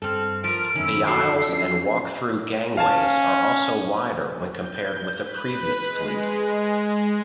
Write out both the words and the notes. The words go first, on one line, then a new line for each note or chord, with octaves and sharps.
The aisles and walk-through gangways are also wider when compared with the previous fleet.
G2 C4 A4 F6
F3 A#4 D7
F#2 D#3 C#4 E4
F#4 G4 A4 C7
F3 C#4 D4
C#4 F5 G#5 A5
G6
B4
G#3